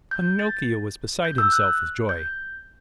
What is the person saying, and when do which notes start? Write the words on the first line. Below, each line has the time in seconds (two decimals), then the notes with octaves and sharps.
Pinocchio was beside himself with joy.
0.11 G6
0.39 A6
1.25 G6
1.38 E6
1.52 F#6
2.09 G6